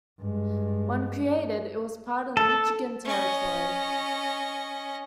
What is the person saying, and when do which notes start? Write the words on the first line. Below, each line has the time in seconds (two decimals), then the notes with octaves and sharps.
When created, it was part of the Michigan Territory.
0.20 G2 G#3
2.37 A4
3.05 C#4 D#5